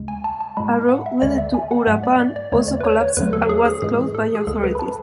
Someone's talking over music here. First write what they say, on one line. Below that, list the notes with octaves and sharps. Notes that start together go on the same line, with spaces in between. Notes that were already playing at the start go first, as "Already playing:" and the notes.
A road leading to Uruapan also collapsed and was closed by authorities.
Already playing: D2 C#3 G#3
G#5
A5
A5
A2 G#3 B5
F#5
E5
D2 D3 G#3 D5
E5
G#5
F#5
G#2 F#3 A3 E5
D5
D5
D5
E2 D3 A3 C#5
D5
B4
C#5
C#5
E2 D3 F#3 A3 B4
A4
G#4
G#4
A2 E3 G#3 G#4
A4
G#4
D2 D3 G#3 A4
B4
B5
A5